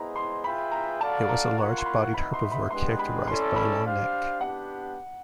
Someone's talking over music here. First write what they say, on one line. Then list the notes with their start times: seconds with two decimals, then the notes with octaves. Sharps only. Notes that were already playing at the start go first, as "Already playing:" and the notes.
It was a large-bodied herbivore characterized by a long neck.
Already playing: B3 E4 G#4 C5 D#5 A#5
0.16 C6
0.44 F4 G#4 B4 E5 G5 B5
0.71 A#5
1.01 F#4 A4 D5 F5 A5
1.29 A#5
1.57 F4 A#4 C#5 F#5 A#5
1.78 C6
1.86 B5
2.14 D#4 F#4 B4 E5 B5
2.34 C6
2.51 B5
2.71 G#3 B3 D4 G4 B4 C6
2.99 B5
3.27 C#4 E4 A4 D5 C6
3.56 B5
3.84 D4 G4 C5 F5
4.41 B3 D4 G4 F#5